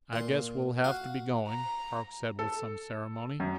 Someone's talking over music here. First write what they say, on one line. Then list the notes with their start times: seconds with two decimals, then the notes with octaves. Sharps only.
"I guess we'll have to be going," Park said with some ceremony.
0.13 A#2 C6
0.84 F#4 F5
1.48 A#5
2.39 A4
3.40 F#2